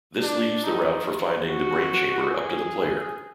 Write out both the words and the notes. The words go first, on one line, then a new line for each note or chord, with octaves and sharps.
This leaves the route for finding the Brain Chamber up to the player.
D4
D#4
F#4
G#4